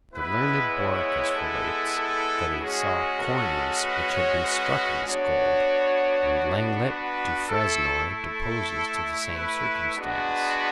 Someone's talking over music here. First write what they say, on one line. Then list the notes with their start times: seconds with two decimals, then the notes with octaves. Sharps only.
The learned Borrichius relates, that he saw coins which had been struck of this gold; and Lenglet du Fresnoy deposes to the same circumstance.
0.13 G#3 B3 E4 B4
0.74 C#5
1.35 A4
1.97 A4
2.58 G#3 C#4 F#4 G#4
3.20 A4
3.81 B4
4.12 C#5
4.42 B4
5.04 B3 D4 F#4 C#5
6.88 B4
7.49 A3 E4 A4
8.10 A4
9.34 B4
9.94 G#3 B3 D4 F#4 B4